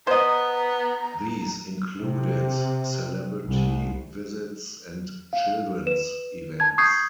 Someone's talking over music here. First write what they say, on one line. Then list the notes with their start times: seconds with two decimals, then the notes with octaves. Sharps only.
These included celebrity visits and children's events.
0.07 B3 C5 D#5 A#5
2.00 C3
3.47 C2
5.33 F5
5.87 B4 E7
6.60 A5 G#6
6.78 C#6 D#6 G6 G#6 C7